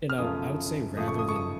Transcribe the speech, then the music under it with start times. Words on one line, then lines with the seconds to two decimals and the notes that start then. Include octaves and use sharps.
you know, I would say rather than
0.10 F6
0.18 F#2 C#3 F3 A3 D#6
0.97 F#2 C#3 F3 A3 D#6
1.08 C#6
1.19 D#6
1.29 C#6
1.36 D#6